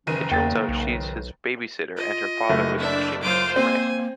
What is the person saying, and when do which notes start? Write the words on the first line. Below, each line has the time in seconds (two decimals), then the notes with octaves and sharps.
It turns out she's his babysitter and her father was pushing his pram.
0.07 F#1 D#3 E3 C#4 D#7
0.31 E2 A#3 G5 A6
0.69 B1
1.97 F4 D#5
2.50 F#1 A3
2.80 D4 E5
3.23 F#3 F4 C5 D6
3.56 A#3 C4 G#5